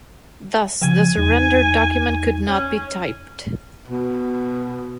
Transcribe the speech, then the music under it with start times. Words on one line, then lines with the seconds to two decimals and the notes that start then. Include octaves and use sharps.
Thus the surrender document could not be typed.
0.82 C#3 F3 G#5
1.17 E2 D#4
2.47 C#4
3.87 B2